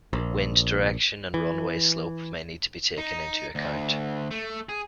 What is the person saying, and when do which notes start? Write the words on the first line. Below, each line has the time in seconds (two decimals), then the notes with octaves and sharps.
Wind direction and runway slope may need to be taken into account.
0.13 A#1
1.34 E3
2.98 D#4
3.55 D2
4.31 A3
4.69 G#4